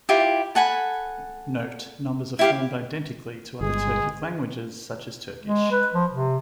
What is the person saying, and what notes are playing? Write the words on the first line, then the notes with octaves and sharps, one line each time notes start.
Note: Numbers are formed identically to other Turkic languages, such as Turkish.
E4 F4 G4
A4 F#5 G#5 B5
E4 G4 F5
G1 G#3 G#4
G#3
B4
F3
C3